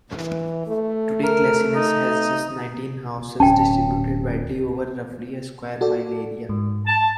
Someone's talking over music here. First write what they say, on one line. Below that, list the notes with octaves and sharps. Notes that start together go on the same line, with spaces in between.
Today Clashnessie has just nineteen houses distributed widely over roughly a square mile area.
E3
A3
A#4
D#4
D1 C#4 G5 A5
F#4 A4 D5
G#2
A5